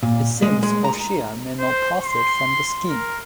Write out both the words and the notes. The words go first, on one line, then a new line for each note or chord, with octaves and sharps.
It seems O'Shea made no profit from the scheme.
A#2
G#3
G#3
A#5
C5
C6
A#4